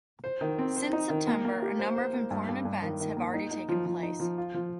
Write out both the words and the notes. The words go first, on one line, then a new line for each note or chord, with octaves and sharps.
Since September, a number of important events have already taken place.
C5
D#3
C4
C5
D#4
D#3
A#3
A#3
G4
C5
C5
A#3
G2
G2
G2
D#3
D#3
A#3
D#4
D#4
F3
F3
D#4
F3
F4
F3